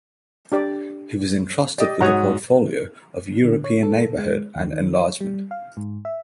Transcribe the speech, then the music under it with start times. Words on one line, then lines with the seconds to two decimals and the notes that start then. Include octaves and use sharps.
He was entrusted with the portfolio of European Neighbourhood and Enlargement.
0.52 D4 G4 D5
1.78 G4 D5 D#5
2.01 G#2 F#4 C#5 F#5 A#5 D#6
3.44 D3
3.64 C#5
3.83 A4
4.18 G#3
4.55 D#2
4.73 D#3
4.95 C#5
5.21 G3
5.51 F5
5.77 G#2
6.05 E5